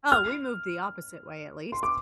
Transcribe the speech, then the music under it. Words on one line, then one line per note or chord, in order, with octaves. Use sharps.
Oh, we moved the opposite way at least.
F6
C6
D6